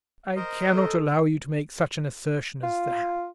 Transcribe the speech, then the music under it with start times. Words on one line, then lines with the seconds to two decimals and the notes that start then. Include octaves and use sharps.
I cannot allow you to make such an assertion as that.
0.36 A#4 C5 D#5
0.74 A4
2.63 F4